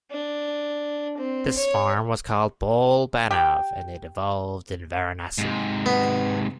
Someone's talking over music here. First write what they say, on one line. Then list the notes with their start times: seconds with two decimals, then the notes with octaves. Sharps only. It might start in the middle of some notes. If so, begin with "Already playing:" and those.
This form was called "bol-banav" and it evolved in Varanasi.
0.11 D4
1.17 C4
1.57 C#5
3.31 G4 G5
5.38 G#2 C3
5.86 B3